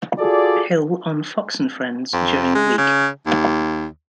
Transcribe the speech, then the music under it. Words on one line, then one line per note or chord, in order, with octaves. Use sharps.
Hill on "Fox and Friends" during the week.
F4 F#4 G#4 A4 D5
F2
G#3
C#3
D#2